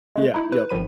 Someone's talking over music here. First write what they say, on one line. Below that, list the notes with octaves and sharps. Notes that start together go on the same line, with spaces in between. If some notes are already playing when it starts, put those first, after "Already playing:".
Yeah, yep.
G#3 A3
D#4 E4
B4
G#1 D#3 F3 B5 D#7